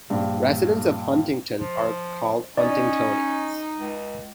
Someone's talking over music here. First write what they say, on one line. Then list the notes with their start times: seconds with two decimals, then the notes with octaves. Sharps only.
Residents of Huntington are called Huntingtonians.
0.10 A#1 G2
1.58 F3
2.57 C#4 D#4 D5
3.80 C#2